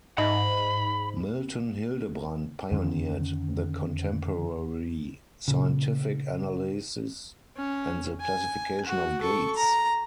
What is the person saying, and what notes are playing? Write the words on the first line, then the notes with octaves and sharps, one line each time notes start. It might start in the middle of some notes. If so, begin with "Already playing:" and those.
Milton Hildebrand pioneered the contemporary scientific analysis and the classification of gaits.
G#2 D#4 D#5 E5 B5
F2 D3 D#3 C#4
A#2 C#3
C#4
G#5
F#4
A4 C#6
A#5